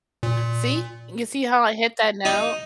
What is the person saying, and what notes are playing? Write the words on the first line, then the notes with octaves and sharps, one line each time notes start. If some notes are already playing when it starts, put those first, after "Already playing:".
See, you see how I hit that note?
A#2
D#4